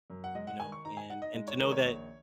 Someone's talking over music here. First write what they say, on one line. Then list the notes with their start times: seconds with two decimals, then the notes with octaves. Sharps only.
you know, and and to know that,
0.10 F#2
0.24 F#5
0.35 G#3 D#5
0.47 F#5
0.59 D#3 G#5
0.72 C#6
0.85 D#4 A#5
0.97 G#5
1.10 D#4 F#5
1.22 D#5
1.35 G#3 D#5
1.48 C#5
1.60 D#3 A#4
1.72 C#5
1.85 A#1